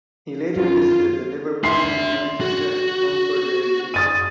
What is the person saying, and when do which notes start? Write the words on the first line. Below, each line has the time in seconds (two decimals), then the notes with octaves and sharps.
He later visited the Liverpool and Manchester and Cromford railways.
0.56 F#2 F4
1.64 D4 E5 C6 C7
2.41 F#4
3.94 D#6 A6 D#7